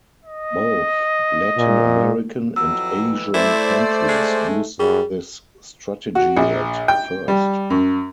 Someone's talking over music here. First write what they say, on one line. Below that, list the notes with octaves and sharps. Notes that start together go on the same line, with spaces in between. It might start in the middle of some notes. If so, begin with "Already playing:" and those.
Both Latin American and Asian countries used this strategy at first.
D#5
A#2
F2 E3 F#3 E6
A3 E4 C5 D5
G#3
F#2 G3 G#4
F#4
A#1
G5
G3
F#2